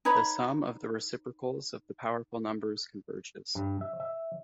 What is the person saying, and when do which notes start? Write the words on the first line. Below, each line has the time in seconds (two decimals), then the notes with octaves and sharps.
The sum of the reciprocals of the powerful numbers converges.
0.05 D#4 B4 C#5 B5
3.55 G2
3.81 E5
4.00 E5